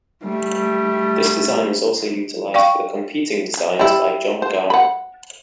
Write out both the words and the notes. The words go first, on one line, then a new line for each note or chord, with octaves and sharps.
This design was also utilized for the competing designs by John Garand.
G3 A3
D5 F5 G5 C#6
G3 E4
C5
F#5 B5